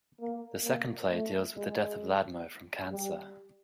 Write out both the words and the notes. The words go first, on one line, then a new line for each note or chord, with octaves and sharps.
The second play deals with the death of Ladmo from cancer.
A#3
A#3
A3
G#3
G3